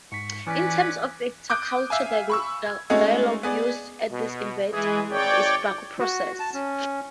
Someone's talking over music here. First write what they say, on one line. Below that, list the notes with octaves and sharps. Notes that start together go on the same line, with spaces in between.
The term for intercultural dialogue used at these events is Baku Process.
G#2 C#6 B6
E3 C#4 B4 D5 G#5
D6 D#6 F#6 G6 D7
E5 F5 G#5
B5 C#6 E6
G#6
G#3 A3 C#4 D#4 F#4 G#4
B3 G#4 D5
B2
E3 G#3 G#4
G#1 C#5 D5 G5
F#4
A5
C#4